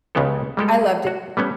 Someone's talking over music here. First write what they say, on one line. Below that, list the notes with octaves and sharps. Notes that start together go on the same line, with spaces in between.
I loved it
C#2 C#3 G#3 B3 G4 A4
G3 G#3 G4 A4
F#4
G3 A3 B3 C#4